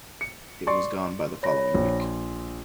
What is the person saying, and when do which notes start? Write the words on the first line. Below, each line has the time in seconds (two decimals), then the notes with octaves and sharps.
It was gone by the following week.
0.21 C#7
0.67 D5 C6 C#6
1.43 C#5 B5 A#6
1.74 A#1
2.01 C6